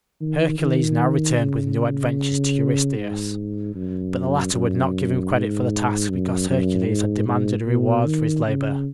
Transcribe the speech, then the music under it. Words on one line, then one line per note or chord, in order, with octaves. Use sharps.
Hercules now returned with new adventures to Eurystheus; but the latter would not give him credit for the task because Hercules had demanded a reward for his labor.
D#3
D#3
C#3
G#2
F#2
F#2
G#2
F#2
F#2
G#2
G#2
B2
D#3
C#3